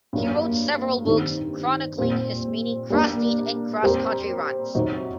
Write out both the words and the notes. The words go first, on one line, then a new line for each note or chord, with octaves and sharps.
He wrote several books chronicling his many cross-state and cross-country runs.
G2 F#3 A#3
G2 D#3 G3 C4
A#2 G3 C4
G3 A#3 D4
G3 C4 G4 A#4
C3 F#3 C4 D#4 F#4